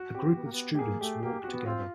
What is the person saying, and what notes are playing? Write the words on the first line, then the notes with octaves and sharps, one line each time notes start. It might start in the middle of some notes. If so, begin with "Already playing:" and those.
A group of students walk together.
Already playing: F#4
C4 G4
B3
A#3
B3
A3 G4
A#3 G#4
A3 G4
A#3 G4
C4 F#4
B3
C4 F4